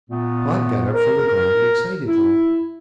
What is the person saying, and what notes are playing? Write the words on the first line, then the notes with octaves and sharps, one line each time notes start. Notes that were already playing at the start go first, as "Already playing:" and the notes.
Pod got up from the ground excitedly.
A#2 A3 B3
A#4
E4